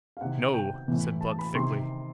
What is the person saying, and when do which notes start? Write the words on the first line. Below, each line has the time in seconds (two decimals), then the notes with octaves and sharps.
"No," said Blood thickly.
0.17 F5
0.21 C3 D#3 F#5
0.54 G5
0.88 A2 E3
1.21 A5
1.39 B5
1.55 C3 D#3 C6